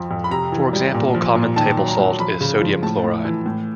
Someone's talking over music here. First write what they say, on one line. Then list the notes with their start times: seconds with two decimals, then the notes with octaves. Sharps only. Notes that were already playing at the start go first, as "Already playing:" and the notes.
For example, common table salt is sodium chloride.
Already playing: F2 F3
0.11 F2
0.24 B5
0.31 C3 A#5
0.52 E3
0.73 G3
0.94 A#2
1.15 F3
1.35 A#2
1.56 D#3 A5
1.77 F#3
1.88 A#5
1.99 F#3
2.19 F3 B5
2.41 C#3
2.61 F3
2.83 A2 A5
3.04 A2
3.25 E3
3.46 A2